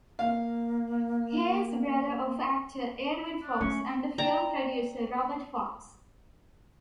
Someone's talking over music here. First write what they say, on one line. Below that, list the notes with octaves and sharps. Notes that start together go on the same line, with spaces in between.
He is the brother of actor Edward Fox and the film producer Robert Fox.
A#3 F5
D4
A3 C#4 C#6
D5 G5 A#5